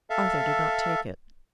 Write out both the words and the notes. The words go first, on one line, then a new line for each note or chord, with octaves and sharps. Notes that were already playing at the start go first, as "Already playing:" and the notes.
Arthur did not take it.
A4 E5 F5